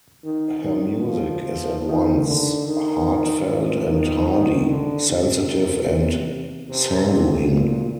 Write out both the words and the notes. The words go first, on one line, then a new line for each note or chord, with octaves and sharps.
Her music is at once heartfelt and hardy, sensitive and sanguine.
D#3
D#3
F3
D#3
D3
D#3
F3
D#3
D#3
D3
C3
C3
A#2